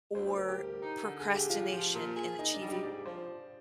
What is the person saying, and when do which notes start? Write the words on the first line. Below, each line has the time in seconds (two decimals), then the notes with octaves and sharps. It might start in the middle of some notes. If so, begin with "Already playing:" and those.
or procrastination in achieving
0.15 D2 C5
0.27 C5
0.37 D2 A#4
0.49 G4
0.60 G3
0.82 D#4
1.04 D3
1.20 G#4
1.27 G#3
1.34 G4
1.49 F3 F4
1.72 F3
1.94 A#2
2.17 G#4
2.39 D#3 D#4
2.54 D4
2.61 G3
2.69 G4
2.83 G#2 D5
3.05 F3 C5